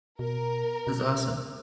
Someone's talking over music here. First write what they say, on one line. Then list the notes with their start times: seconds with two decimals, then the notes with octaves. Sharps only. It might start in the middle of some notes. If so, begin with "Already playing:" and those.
That's awesome.
0.19 B2 A#4
0.87 B2